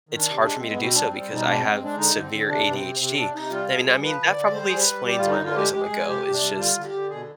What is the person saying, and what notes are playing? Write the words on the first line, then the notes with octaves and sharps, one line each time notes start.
it's hard for me to do so because I have severe ADHD. And mean I mean, that probably explains why I'm always on the go; it's just
D#3
D4
C3
G#3 D4
G#3 C4
B3
B2 C4
G3 D4
C4
G3
C4
B2 D#4
G#3 D4
C4
G#3
C4
G#3 D4
D3 D#4
D3
C4
D3
C3 D4
C3 B3
C4
C3
C3 C4
C3 D4
C3 D#4
G3 F4
B2
G#4
G3
F3 B4
D3
D5
D3
G3 C5
G3 G#4
B4
G3
G3 G4
D3 F4
D#4
D3
F4
G#3 G4
G#3 G4
G#4
G#3
C3 G4
C3
D4
G3
D3 F4
D3
G4
D3
B2 G#4